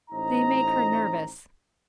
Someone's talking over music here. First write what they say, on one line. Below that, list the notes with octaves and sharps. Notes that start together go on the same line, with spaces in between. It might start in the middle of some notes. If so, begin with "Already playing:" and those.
They make her nervous.
A1 D#4 C5 D#5 A#5